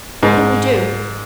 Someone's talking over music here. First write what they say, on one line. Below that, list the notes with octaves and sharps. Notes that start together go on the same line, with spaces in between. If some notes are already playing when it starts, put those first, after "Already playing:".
What can we do?
G#2